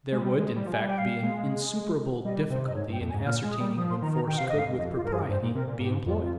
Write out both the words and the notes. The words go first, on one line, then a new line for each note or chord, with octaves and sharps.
There would, in fact, be an insuperable difficulty in ascertaining when force could with propriety be employed.
G#3
G3
G#3
G3
F3
G3 G#5
G5
F5
G#3
G3 D#5
C3 C5
D#5
G#2 C#5
G2
G5
F2
G#5
G#2
A#2 F6
G#3
D#6
G3
F3 D#6
C6
D#3 A#5
A#5
D#3 G5
C3 F5
G#2 D#5
F5
G2
F2 D#5
F4
G2 A#4
G#4
G2 C5
A#2
C3 A#4
A#2
G#2 G4
F2 F4
F4